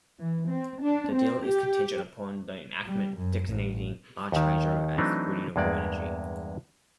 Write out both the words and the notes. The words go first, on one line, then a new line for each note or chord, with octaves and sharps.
The deal is contingent upon the enactment designating large hydro as "renewable energy".
E3
C4
D4
C4
G4
G3
F#2
A1
D#2 D#3
E3 F#3 A3 C4 D4 D#4
E2 G2 G#3 A#3 D5